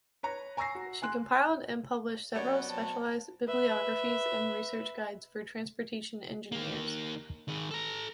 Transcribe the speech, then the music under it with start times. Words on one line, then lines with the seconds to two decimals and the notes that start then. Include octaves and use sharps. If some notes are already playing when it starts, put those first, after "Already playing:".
She compiled and published several specialized bibliographies and research guides for transportation engineers.
0.23 B4 C#5 A#5
0.57 G#5 A#5 C#6 E6 A#6 C7
0.75 F#4
1.02 G#5 C6 F#6
2.34 F#2 B2 G4 C#5 D5 F#5
2.69 F#3 C4 A5
3.48 B4 E5
6.52 D#3 A#3
7.48 D#3 G#4
7.71 A4 A#5